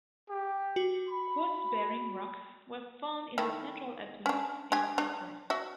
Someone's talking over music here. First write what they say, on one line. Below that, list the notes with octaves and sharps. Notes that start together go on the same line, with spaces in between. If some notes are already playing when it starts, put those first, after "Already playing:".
Quartz-bearing rocks were found in the central uplifts in craters.
G4
F#4
B5
D#3 A3 E4
C#4 D4
D4 G4 G#5
D4
F#4 E5